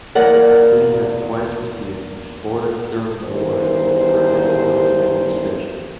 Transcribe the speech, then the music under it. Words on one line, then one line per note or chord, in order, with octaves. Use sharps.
The city has twice received the Florida Sterling Award for excellence in administration.
E2 A#3 A#4 D5 F#5
E2 G2 D#3 G4 A#4 C5